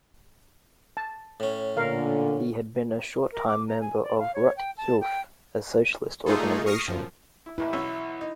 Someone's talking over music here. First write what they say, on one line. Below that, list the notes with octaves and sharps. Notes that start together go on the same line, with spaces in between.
He had been a short-time member of "Rote Hilfe", a socialist organization.
A5
A2 C#4
A#2 D3 A#4 F5
A#4
D6
A#5
G#5
D5
F5
C#5
G5
A5
G5
A3 A#3 D#4 F4 G#4 A4
C#6 D#6 F6 A#6 C7
F#2 F3
E4
A1 D#2 E4 B4
B1 C#4 E5
D#4